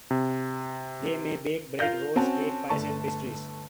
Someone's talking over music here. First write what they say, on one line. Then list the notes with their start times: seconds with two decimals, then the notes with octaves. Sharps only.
They may bake bread, rolls, cakes, pies, and pastries.
0.11 C3
1.79 F4 A#4 F5 G6 A#6
2.16 C4 C#4 F#4 A5
2.69 G1 A3 A5 C#6